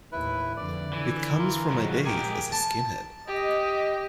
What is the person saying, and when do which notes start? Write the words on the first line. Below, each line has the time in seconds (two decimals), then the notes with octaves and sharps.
It comes from my days as a skinhead.
0.12 D#2 A2 E4 B4
0.57 F2 D3 D5
0.93 D3 E3
1.38 F4 A#4
1.70 F2 A#2 F#3 G#3
2.05 G4 G#4 A#4 G5
2.52 A5
3.28 G4 D#5